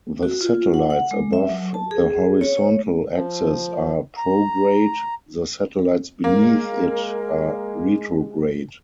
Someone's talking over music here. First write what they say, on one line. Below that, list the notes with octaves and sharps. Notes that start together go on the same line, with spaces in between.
The satellites above the horizontal axis are prograde, the satellites beneath it are retrograde.
F#4
F4
F#5
F#5
G#3
E5
F#3
A5
G#4
C#5
C#5
F3
A#5
G#3 A#3 A#4